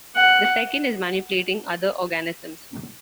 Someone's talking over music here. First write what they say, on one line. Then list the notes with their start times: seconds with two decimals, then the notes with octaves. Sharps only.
The second is manipulating other organisms.
0.16 F#5